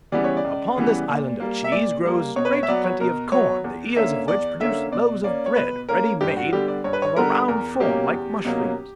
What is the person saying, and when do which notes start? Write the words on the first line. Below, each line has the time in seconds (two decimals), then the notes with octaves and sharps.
Upon this island of cheese grows great plenty of corn, the ears of which produce loaves of bread, ready made, of a round form like mushrooms.
0.12 C#3 E3 G3 B3 D5
0.24 C#5
0.37 D5
0.44 C#2
0.76 C#3 E3 G3 B3
1.08 A#2
1.40 G3 A#3
1.64 E5
1.72 A#2 D5
2.04 G3 A#3
2.36 B2 C#5
2.45 B4
2.52 C#5
2.63 E5
2.68 F#3 B3 D5
2.84 C#5
3.00 B2 A#4
3.32 F#3 B3 C#5
3.64 E2
3.96 D3 A#3 C#4 E5
4.28 E2 D5
4.60 D3 A#3 C#4 E5
4.92 B2 D5
5.24 A#3 C#4 D5
5.46 C#5
5.56 B2 B4
5.89 A#3 C#4 A#4
6.21 G2 G4
6.36 F#4
6.53 D3 G3 B3 G4
6.68 D5
6.84 G2 C#5
6.93 B4
7.02 C#5
7.16 D3 G3 B3 A#4
7.48 E2 A#4
7.80 B2 F#3 A#3 C#4 G4
8.12 E2
8.44 B2 F#3 A#3 C#4